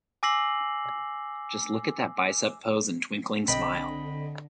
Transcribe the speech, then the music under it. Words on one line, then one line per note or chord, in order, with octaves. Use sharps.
Just look at that bicep pose and twinkling smile.
G#5 D6 E6 A#6 C7 F#7
B1 D3 C4 D#5 G5 B5 B6